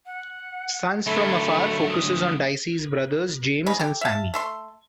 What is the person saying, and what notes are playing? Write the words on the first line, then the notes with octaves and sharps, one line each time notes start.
"Sons from Afar" focuses on Dicey's brothers, James and Sammy.
F#5
D2 F#3 A3 B5
D#6
C#3 D#4 B5
G4 A4
E5 F5 A5
A3 A4 C6